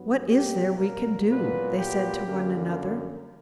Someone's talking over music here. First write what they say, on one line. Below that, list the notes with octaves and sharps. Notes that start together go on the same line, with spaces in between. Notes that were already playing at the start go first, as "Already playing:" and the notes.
"What is there we can do?" they said to one another.
Already playing: G2 F#3 B3
B2 G3 A#3 G4
A#4
A#2 F#3 B3 B4
G4
F#2 D3 A#3